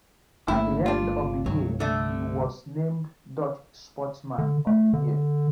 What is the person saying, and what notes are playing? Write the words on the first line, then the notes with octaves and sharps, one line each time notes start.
At the end of the year he was named Dutch Sportsman of the year.
G1 A3 A#3 E4
D4 F4
C2 G2 F#3
D3 A3
D3
A3
D3